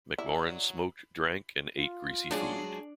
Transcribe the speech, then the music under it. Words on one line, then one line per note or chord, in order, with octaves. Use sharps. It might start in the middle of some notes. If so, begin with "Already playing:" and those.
McMorran smoked, drank, and ate greasy food.
F#3 E4 D5
F4
F#3 G#3 D4 G#4